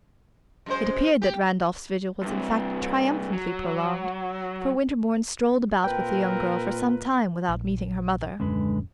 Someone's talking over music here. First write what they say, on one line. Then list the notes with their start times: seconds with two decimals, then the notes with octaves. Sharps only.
It appeared that Randolph's vigil was in fact triumphantly prolonged, for Winterbourne strolled about with the young girl for some time without meeting her mother.
0.66 F#2 G#3 C5
1.22 G4
2.23 G2 C3
3.33 F#3
5.84 A#2 C4 F4 A#4 B4 G5
7.49 A#1
8.40 D#1 F#2 D3 G#3 C#4 B4